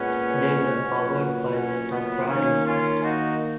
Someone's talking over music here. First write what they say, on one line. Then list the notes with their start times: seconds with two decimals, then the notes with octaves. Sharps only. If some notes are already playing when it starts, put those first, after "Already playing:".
They were powered by a Tatra diesel.
Already playing: A#2 G#3 B3 C#4
0.78 A#2 F#3 B3
1.54 C#4
1.90 B3
2.28 D#3 A#3 C#4
2.65 C#4 F4
3.03 D#4 F#4